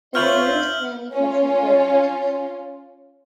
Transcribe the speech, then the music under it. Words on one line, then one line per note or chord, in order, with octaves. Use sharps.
It was used mainly for football matches.
D2 F4 B4 C#5 E5 F6 G6 F#7
C#4 F4